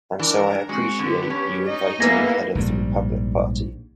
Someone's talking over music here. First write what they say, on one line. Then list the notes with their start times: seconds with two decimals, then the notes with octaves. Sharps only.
And so I appreciate you inviting the head of the Republic Party.
0.19 E3 D4 A#4
0.69 G#3 C4 F#4
0.99 D3 B3 G4
1.30 C#4
1.65 D#4 D#5
2.00 A#3 B3 E4 G#4 B4 E5 A#6
2.55 A#1 G#2 C3 G3